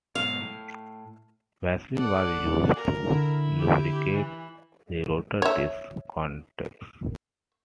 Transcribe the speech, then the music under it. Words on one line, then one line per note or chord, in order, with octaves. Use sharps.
Vaseline was used to lubricate the rotor disc contacts.
G#2 B2 F#3 F5
A2
A4 D5 F#5
A#4
D3 E4
G4
E3
C#5 E5